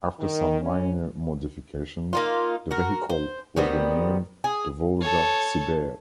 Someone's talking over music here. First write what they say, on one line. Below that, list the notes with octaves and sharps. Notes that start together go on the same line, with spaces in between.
After some minor modifications the vehicle was renamed the Volga Siber.
D#3
C#4
A#3 D#4 F4
F#4 A#4
C5
D#3 G3 B3 C4
G#4
A4 C#5